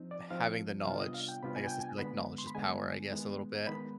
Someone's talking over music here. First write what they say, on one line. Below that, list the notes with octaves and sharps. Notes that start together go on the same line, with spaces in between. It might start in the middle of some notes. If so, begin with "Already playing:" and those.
having the knowledge, I guess is, like, knowledge is power, I guess, a little bit,
Already playing: F3 C4 D#4
D5
F3 C4 D#4 F5
C3 G3 B3 D4 F4 F5
D#5
F5
G5
C3 G3 B3 D4 F4 B5
G#5
G5
G#5
D3 G#3 B3 B5
C6
B5
D3 G#3 B3 G#5
D#3 G#3 B3 D#4
D#3 G#3 B3 D#4 B5